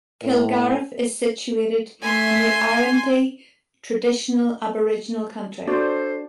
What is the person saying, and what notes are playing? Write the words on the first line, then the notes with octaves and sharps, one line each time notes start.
Kilgariff is situated in the Arrernte traditional Aboriginal country.
A2
A3 E5 G#5 C6
D4 F#4 A4 C5 D5